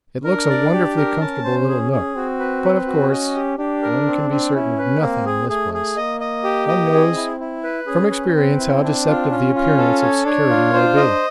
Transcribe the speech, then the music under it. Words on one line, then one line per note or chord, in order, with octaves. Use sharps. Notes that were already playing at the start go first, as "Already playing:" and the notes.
It looks a wonderfully comfortable little nook, but, of course, one can be certain of nothing in this place; one knows from experience how deceptive the appearance of security may be.
D4 A#4
D5
G4
A#4
C#4 A5
C5
G#4
G#4
C4 F#4
B4
B4
F#4
C#4 D#5
G4
D4 G4
A#4
C4
C4
C#4 E4
B4
A#3 C4
G#4
A3 G#4
G#4
A#3 D#5
D#5
G4
D#5
C4 G#4
E4
E4
B4
C#4 G#4
B4
C4 B4
E4
D4
F4
C#4 F4
F4
A4
C#5
D4 C#5
F4
D4 C5
D#5